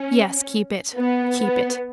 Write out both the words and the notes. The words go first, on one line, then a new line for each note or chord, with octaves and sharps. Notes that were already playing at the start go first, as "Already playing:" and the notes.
"Yes, keep it--keep it."
Already playing: C#4
B3
B3